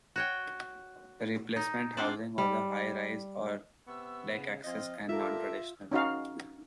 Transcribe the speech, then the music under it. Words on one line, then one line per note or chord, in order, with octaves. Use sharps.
The replacement housing was high rise or deck access and non-traditional.
F#4 C#5 G5
D#4
C4 D4 F4 C5 D5
G3
C3 B3 C#6 E6
C#3
F3 C4 F4 D#5
A#2 F4 G4 A4 A#4 E5
C#4 D#4 F#4 F5